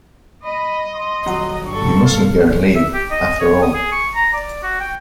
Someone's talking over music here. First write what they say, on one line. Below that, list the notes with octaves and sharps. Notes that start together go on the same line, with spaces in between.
You mustn’t go and leave, after all.
D#5 B5
C6
D#1 F#3 F#5
G2 A4 C#6
A#3 F5 A6 C#7
E5
G4
D#5
C#5
D#6
G#4
C#6
A#5
D5
F#4
G5